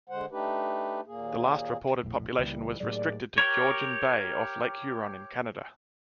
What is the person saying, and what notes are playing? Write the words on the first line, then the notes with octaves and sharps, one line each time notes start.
The last reported population was restricted to Georgian Bay off Lake Huron in Canada.
D3 G#3 C5 F#5
A3 D4 D#4 G4 B4
D#2 A#2 A#3 G#4
E1 A#1 A2
C#2 E3 G3 A#3
D#2 A2 F#3 G#4 D5
G4 A#4 C#5